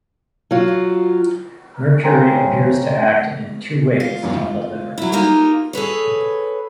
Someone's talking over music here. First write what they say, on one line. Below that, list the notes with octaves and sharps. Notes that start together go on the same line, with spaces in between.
Mercury appears to act in two ways on the liver.
F#3 F4
C#3 C4 A#5
F4
F#3 E4
A#3 D#4 F4 G4 A#4
G#4 A4 B4 C#5